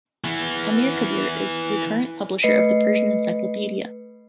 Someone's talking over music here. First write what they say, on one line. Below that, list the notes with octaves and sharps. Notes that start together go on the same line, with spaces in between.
Amirkabir is the current publisher of The Persian Encyclopedia.
E3 B3
A3 B4 D#5 C7 C#7